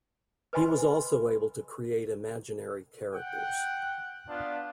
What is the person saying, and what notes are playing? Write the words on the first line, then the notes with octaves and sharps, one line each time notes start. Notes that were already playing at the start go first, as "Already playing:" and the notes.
He was also able to create imaginary characters.
B4 C5 D#5 G#5 B5 C6
F#5 G5
B3 D4 F4